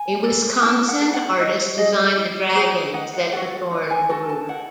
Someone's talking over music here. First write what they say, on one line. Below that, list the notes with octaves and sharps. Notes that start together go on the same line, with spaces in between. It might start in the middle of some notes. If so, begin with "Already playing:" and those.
A Wisconsin artist designed the dragons that adorn the roof.
Already playing: G#5
A4
E4 A5
F#5
A4
F#5
E4 D#5
G#4 D#5
E4
G#4 C5
D#4 F#5
F#5
F#4 A4 F#5
D#4
G#5
F#4 A4 A5
A5
E4 F#5